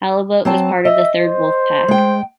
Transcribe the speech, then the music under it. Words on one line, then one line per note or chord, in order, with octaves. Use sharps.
"Halibut" was part of the third wolf pack.
F#3 C4 A5
D#5 E5
C5
G#3 G5